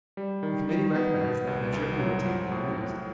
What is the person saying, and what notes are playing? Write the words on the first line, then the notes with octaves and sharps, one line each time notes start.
The Committee recommends that Measure be retained and used.
G3
D#3
D#3
B3
B2
C2
C2
F#3
F3
A2
A2